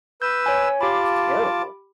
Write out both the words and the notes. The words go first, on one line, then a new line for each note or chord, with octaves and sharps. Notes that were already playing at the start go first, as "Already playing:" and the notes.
it's terrible.
B4 E6 G6
C#5 G#5
F4 G4 A5 B5 D6